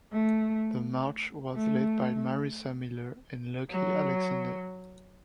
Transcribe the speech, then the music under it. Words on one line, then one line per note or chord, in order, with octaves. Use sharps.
The March was led by Marissa Miller and Luckie Alexander.
A3
A3
F#3